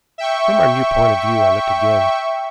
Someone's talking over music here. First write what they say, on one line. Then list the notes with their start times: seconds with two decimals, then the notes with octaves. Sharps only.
From our new point of view I looked again.
0.18 E5 G5 C#6